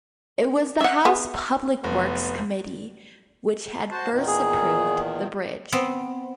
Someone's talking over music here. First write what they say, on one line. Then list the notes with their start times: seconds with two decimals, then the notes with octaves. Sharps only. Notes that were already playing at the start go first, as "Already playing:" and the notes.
It was the House Public Works Committee which had first approved the bridge.
0.81 E5 F#5
1.05 B3 G#4
1.84 F1 B3
3.91 F#4 C5 A5
4.10 E2 A#2 D#3
4.27 G#4
5.72 B3 C4